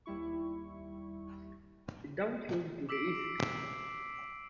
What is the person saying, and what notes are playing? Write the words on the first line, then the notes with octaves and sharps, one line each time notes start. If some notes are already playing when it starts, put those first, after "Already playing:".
It downthrows to the east.
D#2 G3 E4 C#6
D6 E6 B6 C7 D7